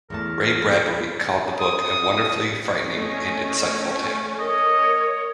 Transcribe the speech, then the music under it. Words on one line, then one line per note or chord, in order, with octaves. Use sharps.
Ray Bradbury called the book "a wonderfully frightening and insightful tale".
E2 A3 A#4 A5
D#6
A3 C#4 D#5
A#4 C#5 D#5